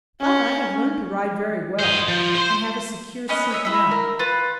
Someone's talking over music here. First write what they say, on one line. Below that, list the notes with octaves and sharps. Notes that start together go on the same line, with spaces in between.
But I have learned to ride very well, and have a secure seat now.
C#4
C5 D#5
F3
C5 C6
B3 C#4 D#5 F#6
C#5 D#5 E5
E4 E5
A#4
F4 B4